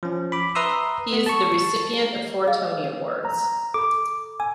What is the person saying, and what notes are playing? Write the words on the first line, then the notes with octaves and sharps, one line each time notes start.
He is the recipient of four Tony Awards.
F3 C#4
B5 D6
B4 E5 A#5 C6 D#6 E6
B3
A5 C#6
G#4 D#5 F5
A#5
A4 B5 D6
G#5 E6